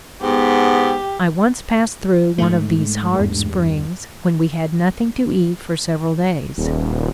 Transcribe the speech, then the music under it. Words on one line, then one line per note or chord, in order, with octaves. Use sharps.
I once passed through one of these hard springs when we had nothing to eat for several days.
G#2 B3 G4
G#2 A3
E2 G2
D#1